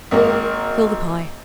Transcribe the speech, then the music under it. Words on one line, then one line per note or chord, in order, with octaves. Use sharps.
Fill the pie.
G#1 A#3 A#4